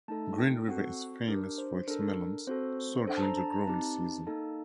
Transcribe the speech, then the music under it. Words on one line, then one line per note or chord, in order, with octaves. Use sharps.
Green River is famous for its melons, sold during the growing season.
A3 D#4 A4 A5
G5
C4 F#4 A4 F#5
D4 G4 A#4
C5
D4 A4 A#4
C4 F#4 A4 C5
D4 A4 C5
A5
A#5
A5
A#5
C4 D#4 G4 A5
A#3 D#4 A4 A5